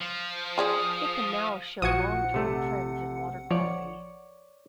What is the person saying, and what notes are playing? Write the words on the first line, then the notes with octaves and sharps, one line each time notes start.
It can now show long-term trends in water quality.
F3
F4 G#4 D5 D#6
A#1 F3 F#4 F#5 D#6 G#6 C#7
C3 A3
F3 C#5 D5